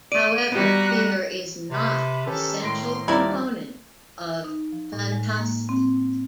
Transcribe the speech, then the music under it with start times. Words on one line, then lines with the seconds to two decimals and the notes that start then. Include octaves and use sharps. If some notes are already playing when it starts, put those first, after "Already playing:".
However, fear is not an essential component of "fantastique".
0.12 D5 D7 D#7
0.52 G3 B3 F#4 G4 A#5 F#6
1.71 C3 B4
2.27 D#3 C#4 G4 A4 B4
2.63 A2 C6 A#6 D7
3.08 D#2 F3 G3 E4 A#4 D5
4.44 D#4
4.72 F3
4.93 A2
5.12 G#3
5.37 A#3
5.69 C4